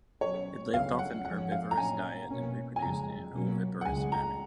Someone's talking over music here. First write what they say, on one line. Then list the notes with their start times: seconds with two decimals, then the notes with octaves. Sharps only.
It lived off a herbivorous diet and reproduced in an oviparous manner.
0.21 B2 F#3 C#4 C#5
0.74 C#2 C#3 F#3 B3 F5
0.99 F#5
1.25 G#2 F3 G#3 C#4 F#5
1.52 F5
1.71 A#5
1.77 A#2 F#3 C#4 G#5
2.29 B2 A#3 C#4
2.76 G#5
2.82 F2 C#3 G#3 A#5
3.33 B2 F#3 A#3 C#4
3.81 F#5
3.85 C#2 C#3 G#3 G#5
4.12 A#5